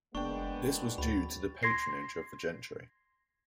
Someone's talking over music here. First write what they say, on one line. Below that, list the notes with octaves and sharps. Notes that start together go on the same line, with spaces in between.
This was due to the patronage of the gentry.
F#1 G#3 A#3 B3 D4 G5 C#6
D2 B5 A6
C6 G#6 A#6 C7